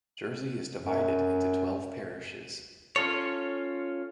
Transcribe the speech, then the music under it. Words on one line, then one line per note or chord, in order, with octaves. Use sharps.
Jersey is divided into twelve parishes.
F#2
C#4 F4 A4 C#5